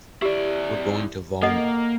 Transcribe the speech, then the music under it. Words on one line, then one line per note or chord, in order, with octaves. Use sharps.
We’re going to Vallmoll.
E4 G4 D5
A#3 A4 D#5 F#5